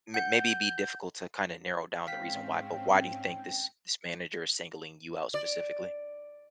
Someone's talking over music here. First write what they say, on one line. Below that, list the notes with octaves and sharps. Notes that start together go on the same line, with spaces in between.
may maybe be difficult to, kinda, narrow down the reason why, but why do you think this this manager is singling you out specifically?
F#5 G6
G#2 C4 C#4 F5 G5 B6
D5